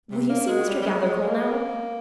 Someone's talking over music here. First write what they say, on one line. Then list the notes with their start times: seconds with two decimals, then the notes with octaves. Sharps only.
"Will you see Mr. Gathercole now!"
0.11 C3
0.29 A#3
0.48 G#3
0.68 G3
0.82 G3
0.86 G#3
1.05 G#3
1.24 A#3
1.37 G#3
1.49 A#3